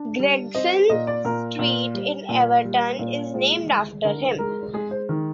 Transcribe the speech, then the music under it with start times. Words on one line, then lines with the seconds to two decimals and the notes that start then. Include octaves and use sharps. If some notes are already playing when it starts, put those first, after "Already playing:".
Gregson Street in Everton is named after him.
Already playing: D4
0.20 G3
0.55 C4 D#5
0.89 A#2 D#5
1.07 D5
1.25 A#2 A#4
1.59 A#2
1.94 G3
2.29 A#2
2.64 G3
2.99 A#2
3.34 G#3 F4
3.69 G#3
4.04 D3 A#4
4.39 G#3 A#4
4.74 G#3 G#4
4.91 C5
5.09 D#3